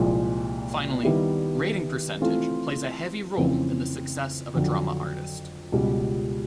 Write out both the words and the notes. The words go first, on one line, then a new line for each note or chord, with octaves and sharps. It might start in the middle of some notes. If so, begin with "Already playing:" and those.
Finally, rating percentage plays a heavy role in the success of a drama artist.
Already playing: C2 A#2 F3 G#3
D#3 G3 B3 E4
E3 A3 C4 F4 A4
F2 C#3 E3 A3 C4
F2 D3 F#3
C#2 B2 G3